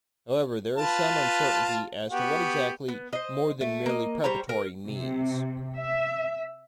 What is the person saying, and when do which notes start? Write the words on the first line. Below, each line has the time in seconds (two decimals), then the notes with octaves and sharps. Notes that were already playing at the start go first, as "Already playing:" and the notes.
However, there is some uncertainty as to what exactly 'more than merely preparatory' means.
0.78 F4 B4 A5
2.10 B3 F#4 G4
2.88 B3
3.13 C5 D#5
3.61 A3
3.86 A#3 D#5
4.24 G3 C5 C#5 A#5
4.49 A#4
4.87 C3
5.76 E5